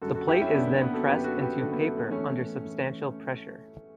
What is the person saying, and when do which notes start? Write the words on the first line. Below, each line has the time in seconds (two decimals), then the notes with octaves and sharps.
The plate is then pressed into paper under substantial pressure.
0.02 F#2 D3 F#4 A4
0.14 F#4 A4
0.28 E4 G4
0.41 C#4 E4
0.54 F#2 B3 D4
0.58 D3
0.67 B3
0.81 B3
0.93 F#4 A4
1.06 D3 G4 B4
1.11 F#2
1.23 F#4 A4
1.41 G4 B4
1.58 F#2 D3 F#4 A4
1.72 B3
1.85 A3
1.97 B3
2.11 A2 E3 A3 C#4
2.64 A2 E3